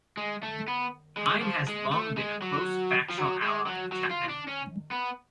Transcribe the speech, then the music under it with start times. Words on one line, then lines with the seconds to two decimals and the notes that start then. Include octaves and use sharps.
Pyne has long been a close factional ally of Chapman.
0.17 G#3
0.43 A3
0.68 B3
1.17 G#3
1.42 F3
1.68 G#3
1.92 A3
2.17 G#3
2.42 F#3
3.09 F3
3.17 F#3
3.42 G#3
3.67 F#3
3.92 F#3
4.11 F4
4.30 D4
4.48 C#4
4.91 B3